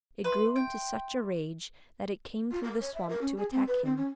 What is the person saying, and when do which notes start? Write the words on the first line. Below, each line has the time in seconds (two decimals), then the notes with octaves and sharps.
It grew into such a rage that it came through the swamp to attack him.
0.24 B4 E5 C6
0.56 G5
2.51 F4
2.63 A#4
2.81 C#5
2.94 E5
3.09 A#4
3.21 C#4
3.37 G#4
3.51 C4
3.67 B4
3.85 C4
3.97 C#4